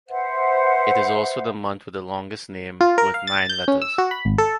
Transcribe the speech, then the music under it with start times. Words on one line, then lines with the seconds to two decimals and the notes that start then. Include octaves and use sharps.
It is also the month with the longest name with nine letters.
0.08 B4 C5 E5 F#5
2.81 F4
2.98 A#4
3.14 F5
3.27 A6
3.49 G6
3.68 C#4
3.82 E6
3.98 F#4
4.11 B5
4.25 G#1
4.38 A4